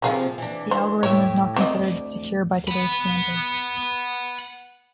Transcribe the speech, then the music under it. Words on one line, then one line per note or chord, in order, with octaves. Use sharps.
The algorithm is not considered secure by today's standards.
C3 F3 A#3 G#4 F5
E3 D4
C5
A2 G4 C#5 E5
D2 C4 D5 D#5
F#5 B5